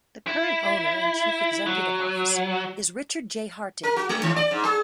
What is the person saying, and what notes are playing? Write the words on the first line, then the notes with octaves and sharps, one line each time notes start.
The current owner and chief executive officer is Richard J. Hartig.
E4
F#3
A#4
F#4
G#3
D#3
D5
G#2
G#4